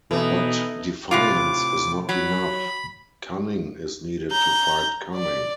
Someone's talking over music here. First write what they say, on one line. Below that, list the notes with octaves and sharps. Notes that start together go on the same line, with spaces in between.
But defiance is not enough; cunning is needed to fight cunning.
B2 E3 B3 D#4 A4
A2 C3 F4 D6
F#3 B5
A#5 G6
D5